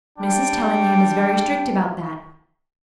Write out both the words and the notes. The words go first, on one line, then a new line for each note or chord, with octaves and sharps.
Mrs. Tellingham is very strict about that.
G3 D4 G5